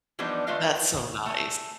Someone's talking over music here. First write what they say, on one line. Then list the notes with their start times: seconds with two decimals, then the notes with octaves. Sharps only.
That's so nice.
0.19 E3 F3 G3 B3 D4 D#4
0.47 A3 F4 B4 D#5 F5
1.26 A3 G#5